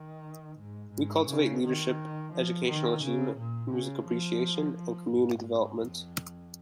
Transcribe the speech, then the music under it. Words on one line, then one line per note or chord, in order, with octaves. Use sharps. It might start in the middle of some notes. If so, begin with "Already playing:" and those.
We cultivate leadership, educational achievement, music appreciation and community development.
Already playing: D#3
G#2
G#2
C#3
D#3
F3
D#3
C#3
A#2
C#3
F3
F3
G#2
F2